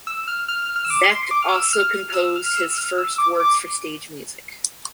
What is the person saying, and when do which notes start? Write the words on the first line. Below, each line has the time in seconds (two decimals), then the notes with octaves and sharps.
Zech also composed his first works for stage music.
0.07 E6
0.28 F6
0.48 F6
0.62 F6
0.76 F6
0.85 E6
0.90 D6
1.11 C6
1.31 D6
1.42 F6
1.52 E6
1.73 F6
2.10 F6
2.14 E6
2.36 F6
2.46 F6
2.57 E6
2.78 F6
2.98 E6
3.18 D6
3.40 D6